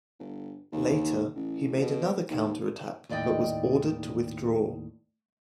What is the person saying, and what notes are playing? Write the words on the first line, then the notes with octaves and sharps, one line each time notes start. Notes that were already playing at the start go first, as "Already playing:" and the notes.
Later, he made another counterattack, but was ordered to withdraw.
G1
D#2
A1
B2
D#2
D#2 A2 D5 D#5 G5